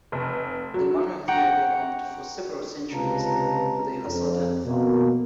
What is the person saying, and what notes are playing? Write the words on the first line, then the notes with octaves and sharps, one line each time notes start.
The manor here belonged for several centuries to the Hasilden family.
F1
F#3
F#5 G5 A#5 C#6
C#2 C3 F4 B4 A5 A#5
F2
B2 A#3